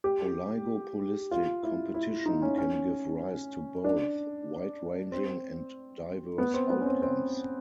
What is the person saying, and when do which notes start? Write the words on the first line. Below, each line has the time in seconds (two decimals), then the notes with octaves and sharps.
Oligopolistic competition can give rise to both wide-ranging and diverse outcomes.
0.04 G4
1.31 F4
1.63 E4
1.94 E4
2.26 D#4
2.42 C#4
2.58 C#4
3.84 D4
5.12 C4
6.38 B3
6.54 C4
6.70 B3
6.81 C#4
6.86 C4
7.02 C4